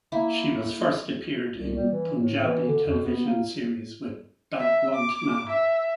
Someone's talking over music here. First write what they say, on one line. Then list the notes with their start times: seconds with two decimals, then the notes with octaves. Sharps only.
She was first appeared in Punjabi television series with Bhagwant Mann.
0.12 A#3 E4 B5
1.57 C2
1.76 G3
1.92 E3
2.20 A2
2.44 E3
2.67 D3
2.88 F2
3.04 B3
3.25 A#3
4.59 E5
4.94 D6
5.49 E5